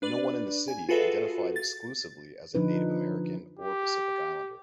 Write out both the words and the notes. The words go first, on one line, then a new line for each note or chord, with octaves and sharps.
No one in the city identified exclusively as a Native American or Pacific Islander.
D4 B4 D5
G#5
F4 F#4 G#4 A4 B4 E5
A6
D3 F3 D4 D#4 B4
G4